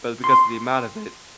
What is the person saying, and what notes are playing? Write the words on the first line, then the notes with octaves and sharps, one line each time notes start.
But because of the amount of it,
C6